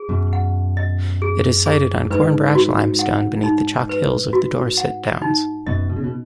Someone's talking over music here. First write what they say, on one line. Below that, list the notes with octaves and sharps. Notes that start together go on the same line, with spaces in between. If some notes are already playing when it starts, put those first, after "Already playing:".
It is sited on Cornbrash limestone beneath the chalk hills of the Dorset Downs.
Already playing: G#4
F#2 B2
F#5
D#5
G#4
G#4
G#2 B4
F#4
F#5
D#4
B4
F#4
F#5
D#4
F#2 B2 D#5
B2
C#3
B2